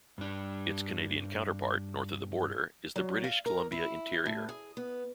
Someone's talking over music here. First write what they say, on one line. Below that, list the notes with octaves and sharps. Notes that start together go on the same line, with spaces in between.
Its Canadian counterpart, north of the border, is the British Columbia Interior.
G2 D4
F#3
F5
A#4
E4
A2
G#4
B3